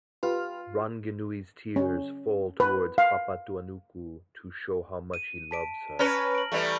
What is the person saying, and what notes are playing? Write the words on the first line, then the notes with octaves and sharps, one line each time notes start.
Ranginui's tears fall towards Papatuanuku to show how much he loves her.
F4 G4 B4 F6
C#4
B4
F5
D#7
A5 B6 D7
C#4 B4 A#5 F6 A#6
D7 F#7
E3 G3 A3